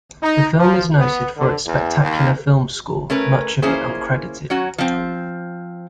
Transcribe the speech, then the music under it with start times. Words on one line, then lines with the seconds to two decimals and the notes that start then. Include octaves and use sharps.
The film is noted for its spectacular film score, much of it uncredited.
0.21 D#4
0.56 F3
0.98 B3
1.37 D3
1.66 E2
2.00 D#2
3.10 A3 C#4 A#4 B4
3.62 A#3 C#4 E4 G#4 C5
4.50 F#3 C#4 F#4
4.78 F3 C4